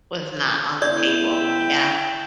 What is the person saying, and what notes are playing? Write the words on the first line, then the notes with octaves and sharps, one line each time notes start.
Was not on the table. Yeah.
C#3 B3 E4 D5 G6
E5 G5